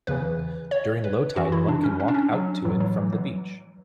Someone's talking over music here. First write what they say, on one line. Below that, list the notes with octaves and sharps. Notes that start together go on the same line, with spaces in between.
During low tide, one can walk out to it from the beach.
E2 C#3 E3 B4
C#5
B4
F#2 E3 F#4
E4
D4
C#4
C#4
D4
C#4
F#3
A2 E3 F#3
F#3
E3
F#3